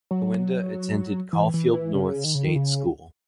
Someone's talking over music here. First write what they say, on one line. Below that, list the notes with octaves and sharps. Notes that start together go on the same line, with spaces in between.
Gawenda attended Caulfield North state school.
F#3
E3
E3
E3
C#3
D#3
C#3
D#3
C#3